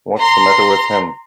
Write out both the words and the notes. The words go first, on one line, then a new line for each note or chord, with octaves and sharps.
What's the matter with him.
A#5 C6